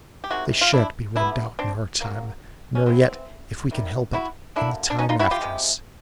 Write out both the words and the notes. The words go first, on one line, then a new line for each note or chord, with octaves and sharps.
They shan't be rubbed out in our time, nor yet, if we can help it, in the time after us.
G4
C3 D#3 G#3 F#4
F4
D4 E4
D3 G3 B3 D4 E4
C4 D4
C#3 F#3 A#3
C#4
E3 G#3 B3 C4
C3 D#3 G3
E4 F#4
D3 F#3 A#3 D4 E4
D4
C#4 D#4
D#4 F4
E4 F#4
F4 G4
C3 F3 G#3